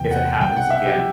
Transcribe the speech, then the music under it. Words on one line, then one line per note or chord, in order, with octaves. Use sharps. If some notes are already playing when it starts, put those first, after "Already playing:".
if it happens again,
Already playing: E2 C3 E3 B3 G5
F#5
C2 B2 G3 G5
F#5
E5
G4